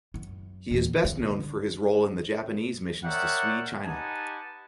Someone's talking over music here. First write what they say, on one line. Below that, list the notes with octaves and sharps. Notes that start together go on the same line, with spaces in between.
He is best known for his role in the Japanese missions to Sui China.
F#2
E2 A#2
D3
A#4 C#5 D5 E5 F#5 G5
D#4 G4 B4 F#5 G#5 A5